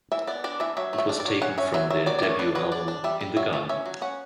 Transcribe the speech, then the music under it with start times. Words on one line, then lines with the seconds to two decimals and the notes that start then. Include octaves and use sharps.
It was taken from their debut album "In the Garden".
0.12 E3 E5
0.27 B3 D5
0.44 D4 D5
0.60 E3 E5
0.77 F#3 E5
0.93 A3
0.98 E5
1.09 D4
1.20 D5
1.25 F#3
1.42 C#4 F#5
1.58 C#4 E5
1.74 F#3 E5
1.90 F#3 E5
2.06 F#3 D5
2.19 D5
2.22 A3 C#5
2.39 D4 B4
2.55 F#3 B4
2.72 D4 D5
2.88 D4
3.04 G3 E5
3.21 G3
3.37 F#3 E5
3.53 A3
3.69 C#4 E5
3.86 F#3
4.01 C#4 F#5